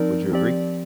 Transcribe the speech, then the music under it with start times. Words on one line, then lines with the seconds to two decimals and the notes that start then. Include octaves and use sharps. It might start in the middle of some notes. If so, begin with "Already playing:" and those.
Would you agree?
Already playing: F3 C4 D#4 A#4 D5
0.32 F3 C4 G4 D5